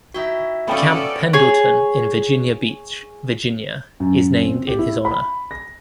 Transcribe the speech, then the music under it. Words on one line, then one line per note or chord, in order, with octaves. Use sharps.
Camp Pendleton in Virginia Beach, Virginia, is named in his honor.
D#4 E4 F#4 E5 G5
B3 C#4 A4 B4 D5 F5 G5 B5
G#4 C#5
F#2
C4
G4
E4
B5
A#6